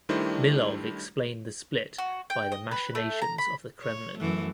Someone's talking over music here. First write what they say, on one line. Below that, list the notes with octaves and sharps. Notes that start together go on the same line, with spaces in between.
Milov explained the split by the machinations of the Kremlin.
D#3 G3 A3 D4 E4 C5
F#4
G5
D#5
B4
A3
A#5
B5
C#5
F#2 E3 A3